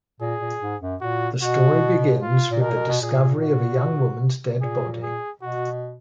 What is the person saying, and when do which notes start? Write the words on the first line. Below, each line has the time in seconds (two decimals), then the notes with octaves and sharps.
The story begins with the discovery of a young woman's dead body.
0.21 A#2 G#4
0.40 A#2
0.61 G#2
0.81 F#2
1.01 A#2 F#4
1.41 B2 F#4
2.22 F4
2.51 A#2
2.61 B2 A#4
2.70 A#2
2.75 B2
2.88 B2
3.01 A#2 G#4
3.42 F#4
4.61 A#2 G#4
5.02 G#4
5.41 B2 F#4